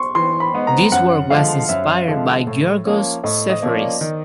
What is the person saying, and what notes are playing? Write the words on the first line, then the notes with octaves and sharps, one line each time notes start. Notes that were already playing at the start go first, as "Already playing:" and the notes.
This work was inspired by Giorgos Seferis.
Already playing: C6 C#6
E3 C6
B5
G#3 B3 D#4
A#5
F#2 F#5
D3 F3 G#3 F5
F#2 E5
D3 F3 G#3
A2
F3 A#3 C#4
A2 D#5
D#5
F3 A#3 C#4
D5
D#3